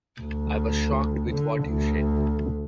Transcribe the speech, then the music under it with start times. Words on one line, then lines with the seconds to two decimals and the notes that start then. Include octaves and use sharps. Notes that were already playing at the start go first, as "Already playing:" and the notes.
I was shocked with what you said.
0.21 D2
1.31 D3
1.65 D2